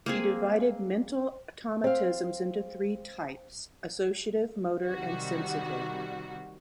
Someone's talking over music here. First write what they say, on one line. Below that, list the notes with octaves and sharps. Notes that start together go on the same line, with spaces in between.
He divided mental automatisms into three types: associative, motor and sensitive.
A#3 C4 G#4
C4 F5
C3 D#3 G3 F#4